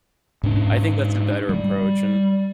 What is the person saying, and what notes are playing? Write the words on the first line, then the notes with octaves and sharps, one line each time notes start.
I think that's a better approach, and
G#2 D4
G3